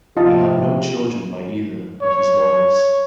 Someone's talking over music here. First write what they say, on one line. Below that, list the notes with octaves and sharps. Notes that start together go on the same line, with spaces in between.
He had no children by either of his wives.
C3 F3 F4 G4 D#5 A5
C#5